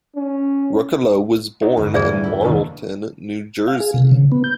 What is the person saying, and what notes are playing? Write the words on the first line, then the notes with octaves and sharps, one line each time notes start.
Ruccolo was born in Marlton, New Jersey.
C#4
D#4 F#4 D#5
G1 E2
E2 A2 G3 G#4 D5 E5
E4 A4
G1 B2 D#3 E3 A#3 D4
F5
G#4
C3
C#3
B3
G6